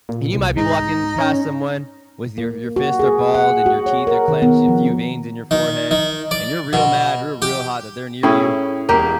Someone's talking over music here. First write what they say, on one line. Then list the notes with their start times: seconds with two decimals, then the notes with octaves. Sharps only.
And you might be walking past someone with your your fists are balled and your teeth are clenched, a few veins in your forehead, and you're real mad, you're real hot that they're near you
0.09 A#2
0.33 C2
0.57 G#2 D#4
1.18 C#4
2.38 A#3
2.76 F#4
2.99 G#4
3.34 F#5
3.66 F#4
3.86 C#5
4.07 A#4
4.28 D#3
4.42 B3
4.68 F3
5.51 D#3
5.91 D#3
6.31 D5
6.73 B2
7.42 G4
8.23 A2 C#4 E4 G#4 G5
8.89 E1 A#3 G4